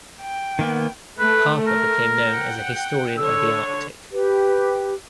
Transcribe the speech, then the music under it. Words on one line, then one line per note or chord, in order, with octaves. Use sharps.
Harper became known as a historian of the Arctic.
G5
D#3 A#3 B3
A3 B4
A#4
F#5 G5
D3 C#5 E6
G4 B4